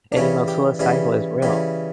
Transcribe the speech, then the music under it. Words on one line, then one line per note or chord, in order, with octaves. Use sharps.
and you know suicidal is real.
D4
C#3 E3 G3 C#4
G4
C#3 E3 G3 G#4
C#3 E3 G3